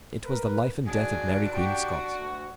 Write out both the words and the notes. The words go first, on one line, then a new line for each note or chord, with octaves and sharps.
It was the life and death of Mary Queen of Scots.
A#4 B4
G#1 D4 F#4 G#4
F#4 G4
D2